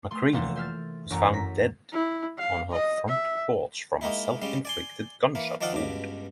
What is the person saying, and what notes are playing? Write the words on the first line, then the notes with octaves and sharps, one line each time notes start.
McCready was found dead on her front porch from a self-inflicted gunshot wound.
A3 C6
F1 E3 A#3 A4 E5 C6
C5 E5 F6 A6
A1 F#2 A4 A#5 C#6 D7
A#6 B6
E4
F5
D#5
E5
G#3 A#3 D#4 E4
C#3 G3 G#3
D5 G#5 C6
E3 A#3
D#3 F3 D5 D#5 F5 F#5
C#2 G2 B2 D6